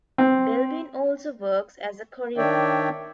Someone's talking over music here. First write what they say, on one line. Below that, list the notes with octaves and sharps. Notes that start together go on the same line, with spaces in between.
Belbin also works as a choreographer.
C4
D#3 D4 C#5 D5 E5 G5